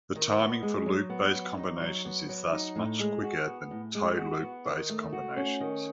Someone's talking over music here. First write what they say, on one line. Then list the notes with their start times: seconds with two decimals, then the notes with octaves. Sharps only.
The timing for loop-based combinations is thus much quicker than toe-loop-based combinations.
0.16 D#3
0.39 B3
0.63 G#3
0.86 F#3
1.10 B3
1.34 F#3
1.57 D#4
1.81 F#3
2.05 B3
2.29 F#3
2.52 D#4
2.76 A2
2.99 G#3
3.23 F#4
3.47 B3
3.71 A2
3.95 G#3
4.17 F#4
4.42 B3
4.65 D#3
4.90 A3
5.13 F#4
5.37 C#4
5.60 D#3